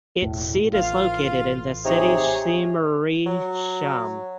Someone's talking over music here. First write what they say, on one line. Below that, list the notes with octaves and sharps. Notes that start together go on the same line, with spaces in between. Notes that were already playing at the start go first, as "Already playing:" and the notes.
Its seat is located in the city Simrishamn.
E1 A2
A1 F4 F5
C3 D#4 G#4 C#5
F#3